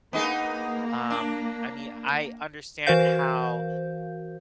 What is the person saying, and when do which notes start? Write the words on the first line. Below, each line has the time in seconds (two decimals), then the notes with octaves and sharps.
um, I mean, I understand how,
0.13 A#3 B3 D#4 G#4
1.10 D4
2.87 E3 F#4 A#4 C5 F5 G6